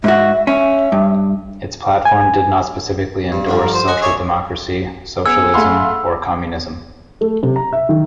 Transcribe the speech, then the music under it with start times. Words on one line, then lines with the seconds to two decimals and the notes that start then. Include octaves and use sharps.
Its platform did not specifically endorse social democracy, socialism, or communism.
0.04 G#2 F#4 E5
0.47 C#4 E5
0.92 G2
2.05 G#5
3.32 G2
3.47 G2 D3 F3
3.61 A#4
3.74 C5
3.88 D#5 F#5 G#5
4.02 G#4 C#5 D5 E5
5.26 B3 G#4 E6 G#6 C#7
5.54 A3 F5 F#5 B5 C6
7.21 A3
7.43 C3
7.56 A#5
7.73 E5
7.89 D#3